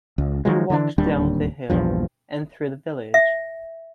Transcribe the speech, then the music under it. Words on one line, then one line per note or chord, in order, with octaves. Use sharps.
He walked down the hill, and through the village.
C#2
D#3 F3 F#3 G#3
D3 E3 C4 D4
D1 D#2 G3 D4
A#1 E2 G2 F3
E5